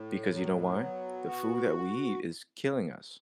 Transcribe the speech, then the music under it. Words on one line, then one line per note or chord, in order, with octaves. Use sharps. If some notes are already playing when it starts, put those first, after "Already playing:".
Because you know why? The food that we eat is killing us.
Already playing: A2
F#3
B3
F#4